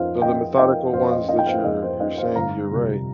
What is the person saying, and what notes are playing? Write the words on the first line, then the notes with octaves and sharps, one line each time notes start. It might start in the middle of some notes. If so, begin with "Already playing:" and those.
So the methodical ones that you're you're saying you're right,
Already playing: F2 F3 D#4 C5 F5
F2 D#5 G5
F3 D#4 D#5 G5
F2 C5 F5
D#5
F3 D#4 D#5
G5
C5 F5
F2 D#5
C5
F3 D#4 D#5
C5 F5
G1 F5 A#5
F2 C3 G3